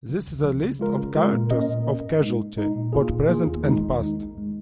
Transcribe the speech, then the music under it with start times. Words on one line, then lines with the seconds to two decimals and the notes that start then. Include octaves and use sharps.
This is a list of characters of "Casualty", both present and past.
0.09 C#3 F3
0.27 C#2
0.44 C#3 F3
0.62 C#3
0.79 G#3 F4 A#4
0.97 C#3
1.15 G#3 F4 A#4
1.33 A#2
1.51 A#3 C#4 A#4 D#5
1.68 A#2
1.86 A#3 C#4 A#4 D#5
2.04 G#2
2.22 G#3 D#4
2.40 G#2
2.57 G#3 D#4
2.75 A#2
2.93 A#3 F4 G#4
3.10 A#2
3.28 A#3 F4 G#4
3.47 D#2
3.63 D#3 G#3 D#4
3.82 D#2
3.99 D#3 G#3 D#4
4.17 A#1
4.35 G#2 G#3